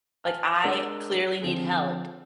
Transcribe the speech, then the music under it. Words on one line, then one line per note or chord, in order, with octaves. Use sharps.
Like I clearly need help,
F5 G#5 A5 F6
G#3 D4 A#4 E6
D3 F3 C4 G#4